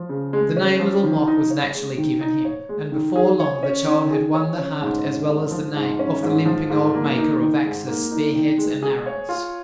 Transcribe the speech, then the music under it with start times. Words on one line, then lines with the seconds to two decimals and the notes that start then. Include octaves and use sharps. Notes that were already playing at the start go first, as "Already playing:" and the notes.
The name Little Mok was naturally given him, and before long the child had won the heart, as well as the name, of the limping old maker of axes, spearheads and arrows.
Already playing: F3
0.09 C#3
0.33 G#3
0.56 C#4
0.80 F3
1.03 D#3
1.27 D#4
1.50 C#5
1.74 G#3
1.97 D#3
2.21 D#4
2.45 C#5
2.69 G#3
2.92 D#3
3.16 G#4
3.40 C#5
3.63 C#4
3.87 D#3
4.11 G#4
4.34 C#5
4.58 C#4
4.82 G#2
5.05 C#4
5.28 G#2
5.51 F3
5.76 G#2
5.99 C#4
6.23 G#2
6.46 F3
6.70 G#2
6.94 A#3
7.17 D#4
7.41 D#3
7.65 G#2
7.88 A#3
8.11 D#4
8.35 D#3
8.58 G#3
8.83 G#4
9.06 C#5
9.29 F4